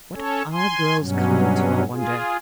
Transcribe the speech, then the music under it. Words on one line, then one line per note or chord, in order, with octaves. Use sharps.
'What are girls coming to, I wonder?
C#4 A4 C#5
G#5 C6
G2 B2 F#3 C#4
F4 G#4